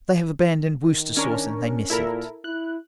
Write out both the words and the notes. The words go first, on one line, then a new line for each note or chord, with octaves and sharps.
They have abandoned Worcester sauce, and they miss it.
D#3
C#4 D4 A#4
A#2 E4 A4 A#4
E4 F#6